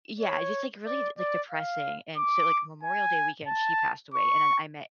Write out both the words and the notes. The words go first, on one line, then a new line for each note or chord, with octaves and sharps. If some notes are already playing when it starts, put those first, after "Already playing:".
Yeah, it's just, like, really, like, depressing. And so, like, in Memorial Day weekend, she passed away. And then I met
C#5
D5
D5
F5
D6
G#5
A5
C#6